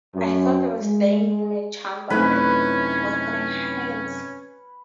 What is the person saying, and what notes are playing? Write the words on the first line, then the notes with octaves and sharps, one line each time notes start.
I thought I was lying in my chamber at Wuthering Heights.
F#2
G#3
F#2 C3 A3 C#4 D#4 E4 B4